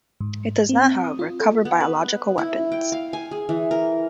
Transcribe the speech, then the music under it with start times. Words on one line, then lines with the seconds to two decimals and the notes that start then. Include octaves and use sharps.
It does not, however, cover biological weapons.
0.21 G#2
0.69 C4
1.04 D#6
1.19 F4
1.40 A4
1.65 B3
1.80 B4
2.38 E4
2.72 G5
2.92 F5
3.13 G#5
3.31 G#4
3.49 E3
3.71 A#4